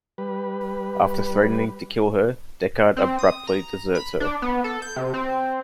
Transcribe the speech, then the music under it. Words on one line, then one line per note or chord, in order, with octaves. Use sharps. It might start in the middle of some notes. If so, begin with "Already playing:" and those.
After threatening to kill her, Deckard abruptly deserts her.
G3 B4
C4
D#6
A#5
B5
D4
B3
A4
G6
C3
C4